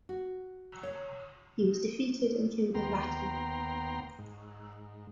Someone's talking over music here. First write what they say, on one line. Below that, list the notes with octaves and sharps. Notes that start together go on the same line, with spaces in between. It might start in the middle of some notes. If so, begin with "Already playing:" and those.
He was defeated and killed in battle.
F#4
C#5
D#2 B3 G5 A#5 C6
G#2